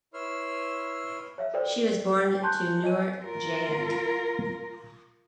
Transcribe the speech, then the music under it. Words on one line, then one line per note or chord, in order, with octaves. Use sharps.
She was born to Noor Jehan.
E4 B4 C#5 C6 E6 F6
C#5 E5 F5
A4 B4 C5 D5 G5
G5
G#5 A5 C6 C#6 F#6 G6
D#5 G#5 D#7
F4 A#4